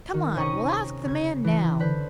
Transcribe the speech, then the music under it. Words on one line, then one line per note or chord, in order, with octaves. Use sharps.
"Come on, we'll ask the man now."
D#3
C3 C#4 A#5 C#6 D#6
C#3 G#6
E3
D3 B4 C5